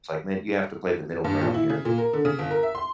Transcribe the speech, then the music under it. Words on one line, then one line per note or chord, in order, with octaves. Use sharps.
it's like, "Man, you have to play the middle ground here
G2
A#2
E4
C#3
A#2
A#4
D3
C#3
G1
A#4
E5
C6